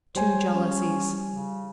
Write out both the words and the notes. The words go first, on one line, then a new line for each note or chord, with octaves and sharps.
Two Jealousies.
G3 C5 C#5 G#5
C#4
C#3